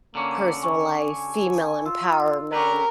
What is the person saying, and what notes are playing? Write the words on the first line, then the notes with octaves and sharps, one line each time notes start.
personal life, female empowerment,
D3 A#3 C#4
G#5 C#6
F4 E6
C#4 G4 A#4 B4